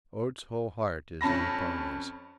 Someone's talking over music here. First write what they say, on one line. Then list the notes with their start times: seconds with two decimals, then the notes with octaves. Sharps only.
Oates' whole heart is in the ponies.
1.21 F2 C#4 A5 B5 A#6